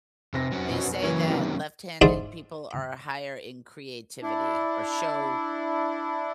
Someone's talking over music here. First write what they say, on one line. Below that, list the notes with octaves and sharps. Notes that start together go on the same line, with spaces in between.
They say that left-handed people are higher in creativity or show
F1 C3 C4 A#6
F#3 C#4 F#4
B2
E3 F#3 A#3 C#4 B4 C#5
C3 D#3
G#2 E4 G#4 C5 D5 D#6
D4 E4